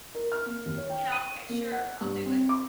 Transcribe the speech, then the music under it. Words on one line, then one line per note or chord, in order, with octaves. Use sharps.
you know, "Okay, sure, I'll do it."
A#4
F6
A#3
D#2
C#5
G5
D#7
A#3
F#5
G2
C4
D6